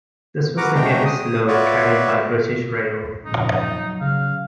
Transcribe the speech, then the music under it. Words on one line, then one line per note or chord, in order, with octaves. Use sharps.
This was the heaviest load carried by British Rail.
F#4 A#4 B4 F#5 A#5 D6
G#3 A3 D4 F#4 G5 A#5
D#6
F4 F#4 B4 C#5 D5 E5
F2 A#2 C#3 D#4
F#3
C#3 F5